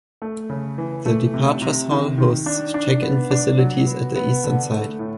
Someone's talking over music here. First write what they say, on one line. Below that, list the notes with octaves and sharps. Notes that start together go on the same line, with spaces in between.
The departures hall hosts check-in facilities at the eastern side.
A3
C#3
E3
A3
C3
C3
D#3
D#3
D4
D4
B3
D4
F#3
B3
B3
D3
A3
A2